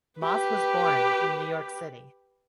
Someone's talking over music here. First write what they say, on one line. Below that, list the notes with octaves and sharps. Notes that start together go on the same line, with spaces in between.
Moss was born in New York City.
G4 B4